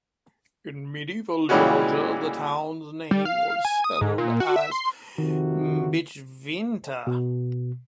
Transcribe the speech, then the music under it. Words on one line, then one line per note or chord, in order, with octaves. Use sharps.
In medieval Georgia, the town's name was spelled as "Bichvinta".
A#2 E3 G3 G#3 C#4 F#4
G3
F5
G#5
D#6
G#2
A#2
F#4
E5
C6
F2 C3 D#3 F#4
B2